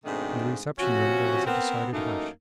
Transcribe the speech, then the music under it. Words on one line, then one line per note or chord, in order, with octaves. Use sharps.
In the reception room there was a decided hush.
G#2 B2 D#3 A3 C4 D4
C3 F3 C#4 F#4
B3 C4 A#4
F#2 E3 A3 A#3 D#4